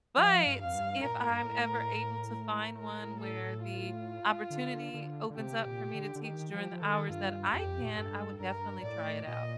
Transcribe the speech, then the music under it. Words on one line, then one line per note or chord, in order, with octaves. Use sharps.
but, if I'm ever able to find one where the opportunity opens up for me to teach during the hours that I can, I would definitely try it out?
F3 F5
G2
F2 F5
G2
A#2 A#4
A2
G2
A2
A#4
A4
F4
D3
D3
D3
C3 G4
A#2
D3
D3
D#3 G4
F3 G4
F3
D#3 A4
G2 F4
F2 G4
A#2
A2
G2 A4
G2 A#4
A2 D5
A#2 D#5